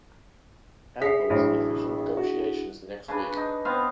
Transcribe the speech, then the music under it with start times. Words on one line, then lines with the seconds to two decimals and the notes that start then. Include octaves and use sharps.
Elba was in official negotiations the next week.
1.02 G#4 E5 B6 C7
1.30 A1 F#3 D4 E4 G#4 C5
2.17 F#4
3.08 C#3 D4 B4
3.37 D#4
3.65 B3 C4 F5